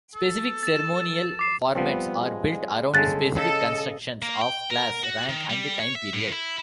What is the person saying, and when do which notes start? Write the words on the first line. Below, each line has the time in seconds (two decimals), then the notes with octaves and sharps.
Specific ceremonial formats are built around specific constructions of class, rank, and time period.
0.15 A4
0.63 A6 E7
1.39 D6 C7 E7
1.75 F3 G3 B3 C4
2.21 G#3
2.94 G1 C#3 G#3 A4 F#6 A6
3.37 C#3 A4 D#5
4.22 A#3
4.42 G5
4.71 A#4
5.03 F#4
5.29 D#3
5.50 G3
5.80 C#5
5.95 E5
6.14 A2
6.32 E4